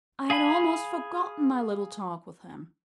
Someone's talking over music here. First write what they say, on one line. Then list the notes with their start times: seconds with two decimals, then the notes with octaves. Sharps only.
I had almost forgotten my little talk with him.
0.30 G#4 F5 G#5 B5